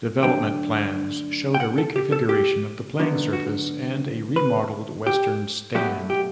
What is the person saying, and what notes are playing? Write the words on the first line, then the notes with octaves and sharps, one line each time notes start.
Development plans showed a reconfiguration of the playing surface and a remodelled western stand.
D2 D3 F#3 G5
G5
F#5
A4
G4
A4
G4
D2 D3 F#3 B3
F#4
B4
G4
B1 B2 F#3 A3 G4
G4